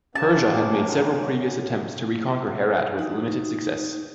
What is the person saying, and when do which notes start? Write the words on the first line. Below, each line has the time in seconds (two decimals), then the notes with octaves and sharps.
Persia had made several previous attempts to reconquer Herat with limited success.
0.15 F#2 C3 G#3 A#3 C#4 A5
2.99 D#4